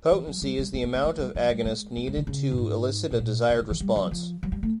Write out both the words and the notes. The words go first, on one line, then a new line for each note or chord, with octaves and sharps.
Potency is the amount of agonist needed to elicit a desired response.
E3
F#3
G3
G3
G#3
A#3
A3
G#3
G3
F#3
G3
G#3
A3
G#3
D3
C#3
A2
G#2
B2
A#2
C3
D#3
E3
G3
F#3
F3
F#3
G3
A3